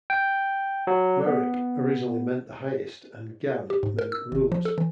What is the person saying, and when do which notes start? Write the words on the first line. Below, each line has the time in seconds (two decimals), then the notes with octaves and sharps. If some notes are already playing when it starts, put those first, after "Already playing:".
"Marip" originally meant the highest, and "gan" meant rulers.
0.10 G5
0.87 F#3
1.26 B3
3.70 G4
3.83 G#2
3.99 A#4
4.12 E6
4.32 G#1
4.52 F3
4.65 A4
4.78 E3